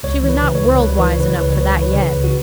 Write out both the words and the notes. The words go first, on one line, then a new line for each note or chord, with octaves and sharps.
She was not world-wise enough for that yet.
C#2 C#5
E3
B4
C#3
C#5
C#2
C#2 B4
C#5
E3 B4
C#5
C#3 B4
C#5
C#2 B4
C#5
C#2 B4
E3 C#5
B4
C#3 C#5
B4
C#2
F#4